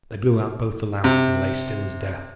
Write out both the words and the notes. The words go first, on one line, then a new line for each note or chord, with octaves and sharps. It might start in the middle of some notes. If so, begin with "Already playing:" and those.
They blew out both the lamps and lay still as death.
C3